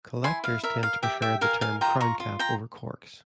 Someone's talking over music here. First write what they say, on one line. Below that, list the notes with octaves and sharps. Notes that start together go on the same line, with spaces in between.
Collectors tend to prefer the term crown cap over corks.
E4 G#5 C6
F5
A#4 E5
F5
G4 E5 G5
E5 G5
A#4 F5 G#5
F5 G#5
F4 G5 A#5
A#5 C#6
F4
G5 A#5